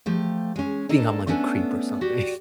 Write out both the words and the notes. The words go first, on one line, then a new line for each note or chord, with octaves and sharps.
think I'm like a creep or something.
F3 A3 G4
G#3 C#4
A#3 D4 A4 D#5
A3 B3 C#4 D4 A4
F#4 G4 D5